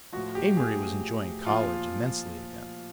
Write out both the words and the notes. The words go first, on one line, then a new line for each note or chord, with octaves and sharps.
Amory was enjoying college immensely again.
A2 F3 F#4
G4
G#4
A#2 F3 F4